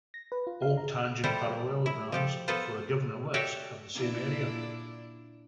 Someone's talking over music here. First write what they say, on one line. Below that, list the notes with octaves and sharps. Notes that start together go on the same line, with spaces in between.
All tangent parallelograms for a given ellipse have the same area.
A#6
B4
F4
F5
A#5
G3 E4 G4 A4 C5
E4
F3 G4 A4
B3 F4 A4 B4 C5
F#4 G4 A4 C#5 D5 E5
A#2 D4 E4